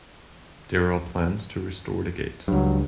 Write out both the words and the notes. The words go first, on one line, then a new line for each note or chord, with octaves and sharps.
There are plans to restore the gate.
C#2 G2 F#3